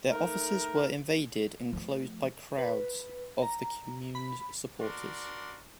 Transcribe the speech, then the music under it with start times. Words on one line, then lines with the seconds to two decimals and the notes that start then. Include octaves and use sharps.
Their offices were invaded and closed by crowds of the Commune's supporters.
0.10 A3 D#4 A#4
1.73 F3 A3
2.58 B4
3.42 A#5
4.15 B5
4.80 D4 F#4 A#4 D5 C6